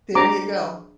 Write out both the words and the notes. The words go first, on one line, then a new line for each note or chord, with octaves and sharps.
There you go.
D4 G#4 C5 A#5 D6